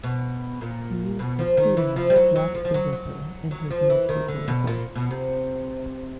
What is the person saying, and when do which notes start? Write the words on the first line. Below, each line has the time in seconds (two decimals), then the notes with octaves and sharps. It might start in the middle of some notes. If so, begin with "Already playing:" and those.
He used the pseudonym Jack the Ripper in his newspaper reports.
0.04 B2
0.61 A#2
1.19 B2
1.39 F3
1.57 D#3
1.77 E3
1.96 F3
2.10 G3
2.16 F#3
2.36 F#3
2.55 F3
2.65 F3
2.74 F#3
2.93 F#3
3.51 F#3
3.71 F3
3.90 E3
4.09 D#3
4.28 D3
4.48 B2
4.67 A#2
4.95 B2
5.11 C3